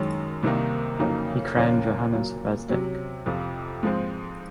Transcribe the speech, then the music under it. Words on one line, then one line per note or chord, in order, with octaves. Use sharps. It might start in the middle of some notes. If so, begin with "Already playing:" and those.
He crowned Johannes Rydzek.
Already playing: F#2 D#3 G#3 C#4
C2 C3 D#3 A#3 D#4
F2 C#3 F#3 A#3 D#4
D#2 C#3 F3 A#3 C#4
A#2 F#3 A#3
C3 F#3 C#4
F2 C3 F3
G#2 F3 G#3 C4